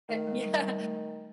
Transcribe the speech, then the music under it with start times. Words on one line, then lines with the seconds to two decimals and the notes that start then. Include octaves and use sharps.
Eh yeah,
0.09 D#3 A3
0.27 G#3
0.44 G3
0.62 G3
0.79 A3